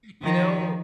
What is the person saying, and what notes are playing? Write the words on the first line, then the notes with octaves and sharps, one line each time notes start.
You know
D#3 F3